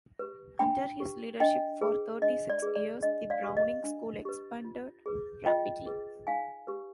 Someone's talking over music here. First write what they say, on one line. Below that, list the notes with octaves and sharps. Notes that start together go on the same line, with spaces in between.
Under his leadership for thirty-six years, the Browning School expanded rapidly.
G4 B4
D4 G5 B5
G4 B4
D4 D#5 G5
G#4 B4
D4 D#5
D5
G#4 B4
D5
D4 D#5
D5 F5
G4 B4
D#5
D4
G4 B4
F4
G#4 B4
F4 D#5 G5
G#4 B4
D#4 F5 G#5
G4 B4